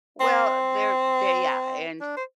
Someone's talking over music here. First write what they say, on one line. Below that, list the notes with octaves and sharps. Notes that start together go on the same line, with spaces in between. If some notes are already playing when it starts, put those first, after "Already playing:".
Well, they're they yeah, and,
C4
D4
C5